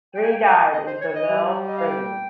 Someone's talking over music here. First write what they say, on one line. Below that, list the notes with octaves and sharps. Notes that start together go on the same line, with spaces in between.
Three died in Seville prisons.
G5
G#5
G5
F5
D#5
C5
C#5
D#5
G3
D#5
F5
G5